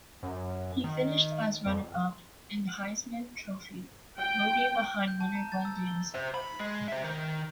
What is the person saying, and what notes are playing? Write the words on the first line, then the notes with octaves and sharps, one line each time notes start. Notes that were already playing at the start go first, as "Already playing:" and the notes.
He finished as runner-up in Heisman Trophy voting behind winner Glenn Davis of Army.
F#2
D#3
F2
G5
G6
A5
A#5
A6
E6
G7
C5 E5
B5
G#3
C5 E5
D#3